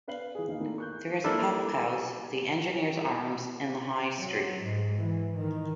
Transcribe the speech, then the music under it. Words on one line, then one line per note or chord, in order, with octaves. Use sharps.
There is a public house, The Engineer's Arms in the high street.
D4 B4 F5 C7 F#7
E3 G#4
D#2 D#4 F5
D#3 A3 A#3 E4
C#6 F#6 G6
A#3 D4 E4 A4
F#3
G#2
E3
D#3